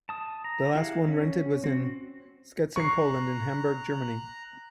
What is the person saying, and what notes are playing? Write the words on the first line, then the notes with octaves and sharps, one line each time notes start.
The last one rented was in Sczetin Poland and Hamburg Germany.
A5 D#6
A#5
E4 G4 G#4 F5 F#5
C#4
C4 F#4
A#5 C#6 F#6 C7